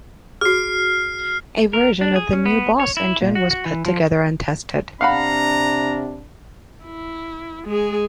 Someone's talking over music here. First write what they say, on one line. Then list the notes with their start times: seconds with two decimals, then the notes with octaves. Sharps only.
A version of the new Boss engine was put together and tested.
0.41 F#4 G#4 F6 C7
1.73 A#4
2.01 D4
2.16 G#4
2.33 C#4
2.46 B3
2.80 C#5
2.97 E4
3.21 A#2
3.35 F#4
3.51 F#4
3.65 E3
3.86 F3
5.01 C3 D4 F5 F#5 A#5 B5
6.85 E4
7.66 G#3 G#4